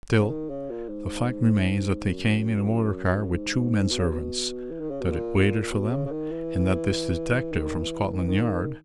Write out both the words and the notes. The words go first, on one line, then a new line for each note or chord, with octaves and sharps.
Still, the fact remains that they came in a motor car with two men-servants; that it waited for them; and that this detective from Scotland Yard--Mr.
C#3
D#3
C#3
A#2
G#2
F#2
G#2
B2
C#3
B2
E3
D#3
C#3
B2
A#2
A#2
B2
C#3
C#3
D#3
E3
D#3
E3
D#3
E3
D#3